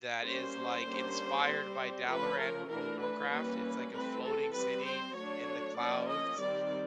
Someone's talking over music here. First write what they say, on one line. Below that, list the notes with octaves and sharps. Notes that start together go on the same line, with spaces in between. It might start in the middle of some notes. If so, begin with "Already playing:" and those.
that is, like, inspired by Dalaran from World of Warcraft. It's like a floating city in the clouds,
G3 A#3 C#4 C5
D3 G3 A#3 C#4
G3 C4
F3 A3 C#4 B4
A#4
E3 A3 D4 A#4
B4
E3 G3 A#3 C#4
E3 A3 C4 B4
A4
G3 C4 B4
C5
F#3 A3 D4 C#5
F3 A#3 C#4 D5
D#5
D#3 G3 C4 D5